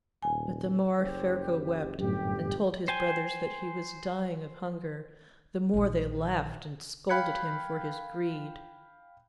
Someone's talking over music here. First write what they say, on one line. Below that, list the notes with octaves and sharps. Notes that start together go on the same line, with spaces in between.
But the more Ferko wept and told his brothers that he was dying of hunger, the more they laughed and scolded him for his greed.
D#1 G#5
F#1 G4 C5
G1 F#2 A2 G4
C5 G5 G#5
A#1 D#3
F5 G5 B5 F#6 G#6 C#7